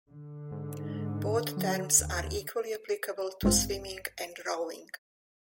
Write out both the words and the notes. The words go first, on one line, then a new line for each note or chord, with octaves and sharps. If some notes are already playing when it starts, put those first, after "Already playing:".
Both terms are equally applicable to swimming and rowing.
D3
G#2
F#3
D#2
A1 G2 G#3 C4 F4